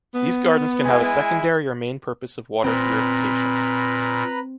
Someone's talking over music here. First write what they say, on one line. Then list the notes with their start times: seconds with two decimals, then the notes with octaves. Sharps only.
These gardens can have a secondary or main purpose of water purification.
0.14 B3
0.83 G#3 E4 G#5
2.64 A#2 C4 B4 A#5 B5